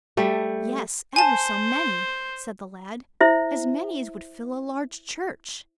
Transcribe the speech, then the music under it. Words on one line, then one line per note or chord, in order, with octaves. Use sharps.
"Yes, ever so many," said the lad, "as many as would fill a large church."
G3 A3
C5 G#5 A5
E4 C5 E5